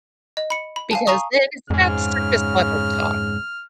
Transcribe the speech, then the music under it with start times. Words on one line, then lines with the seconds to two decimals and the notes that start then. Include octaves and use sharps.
Because then it's not surface level talk.
0.37 D#5
0.50 B5 C#7
0.76 B5
0.91 F5 G#5 A5
1.07 F5 G#5 A#5 C#6 D#6
1.70 F2 G#2 C#3 G#4 F6